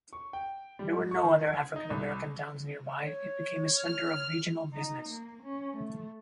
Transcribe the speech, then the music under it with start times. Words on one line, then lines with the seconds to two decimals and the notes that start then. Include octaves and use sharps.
There were no other African-American towns nearby, it became a center of regional business.
0.13 C#6
0.33 G5
0.79 G3
0.98 G#2
1.11 C#6
1.24 D#3
1.47 G#6
1.76 D#4
1.90 C2
3.03 C#5
3.80 F6
4.74 D#4
5.09 A#3
5.43 C#4
5.77 A3